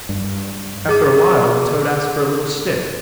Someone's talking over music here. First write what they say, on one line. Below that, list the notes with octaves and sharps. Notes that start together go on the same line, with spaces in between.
After a while the toad asked for a little stick.
G2
G#4 D6